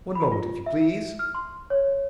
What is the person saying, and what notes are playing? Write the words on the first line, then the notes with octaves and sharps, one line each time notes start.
One moment, if you please!'
B5
F4
E5
F6
C6
C#5